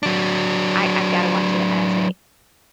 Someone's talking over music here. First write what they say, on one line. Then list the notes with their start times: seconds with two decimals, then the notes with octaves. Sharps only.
I I've gotta watch it as a
0.03 F#3 D4